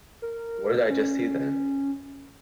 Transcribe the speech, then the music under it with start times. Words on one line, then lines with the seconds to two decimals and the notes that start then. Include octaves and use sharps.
What did I just see then?
0.22 A#4
0.90 C#4